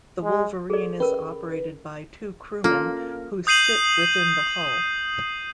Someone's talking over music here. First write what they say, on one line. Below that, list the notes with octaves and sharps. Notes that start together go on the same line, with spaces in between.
The Wolverine is operated by two crewmen who sit within the hull.
G#3
G#4 A4 D5
C#4 A#4 B4
A#3 C#4 F4 A4
D#6 G6 C7 D#7 F#7